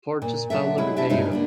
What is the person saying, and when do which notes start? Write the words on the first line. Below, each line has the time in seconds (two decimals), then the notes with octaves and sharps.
Porto's Paulo Ribeiro.
0.22 A#2
0.50 B2 F#3 D4 A4 E5
0.78 F#3 G#3 E4 G#4
0.96 D4 E4 G4 D5 E5
1.09 G2 C#3 G#3 C4 C#4 D#4
1.32 A#3 B3 D4